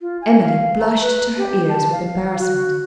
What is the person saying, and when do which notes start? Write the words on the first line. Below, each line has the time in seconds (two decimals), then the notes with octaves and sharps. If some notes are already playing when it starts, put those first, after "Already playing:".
Emily blushed to her ears with embarrassment.
0.01 F4
0.22 G#5
0.42 F5
0.80 A#5
1.01 B4
1.37 G4
1.69 A5
1.92 F5
2.38 F#4